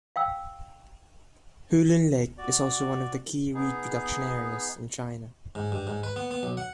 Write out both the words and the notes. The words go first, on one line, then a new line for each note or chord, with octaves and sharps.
Hulun Lake is also one of the key reed production areas in China.
F5 G5 E6
F#4 D5
B3 D#4 G#4
G#2
G2
G#2
B4
B3
B3
B1
F#5